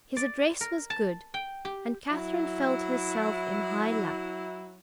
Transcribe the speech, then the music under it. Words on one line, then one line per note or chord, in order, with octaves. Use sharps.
His address was good, and Catherine felt herself in high luck.
D5
A#4
A5
G5
G4
F#3 E4